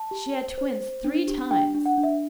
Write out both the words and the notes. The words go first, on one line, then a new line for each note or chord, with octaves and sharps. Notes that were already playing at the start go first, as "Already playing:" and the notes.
She had twins three times.
Already playing: A5
G4
C5
C5
C5
D4
G4
D4 G5
D4
F#5
D4
E5